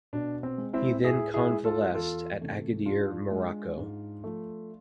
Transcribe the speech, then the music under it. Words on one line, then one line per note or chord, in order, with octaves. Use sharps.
He then convalesced at Agadir, Morocco.
B2 D4
C4
G#3
C4 E4
A2 E4 G#4
E4 G#4
G#3
F4 A4
E2 F4 A4
C3 E3 A3
G#2 D4 F4
G#3
G#2
F3 A3